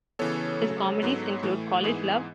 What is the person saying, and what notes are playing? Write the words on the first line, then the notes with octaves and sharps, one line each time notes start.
His comedies include Call It Love?
C#3 E3 B3 A4 C#5
C#3 F#3 A3
G#2 F#3 B3
A2 E3 A3
G#2 E3 B3 G#4